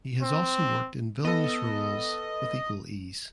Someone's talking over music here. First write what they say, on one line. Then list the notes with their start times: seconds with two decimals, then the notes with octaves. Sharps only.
He has also worked in villainous roles with equal ease.
0.23 C4
1.25 B3 A4 D#5